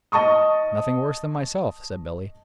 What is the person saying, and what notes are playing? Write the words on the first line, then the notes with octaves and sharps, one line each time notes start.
"Nothing worse than myself," said Billy.
D#5 A5 C#6 D#6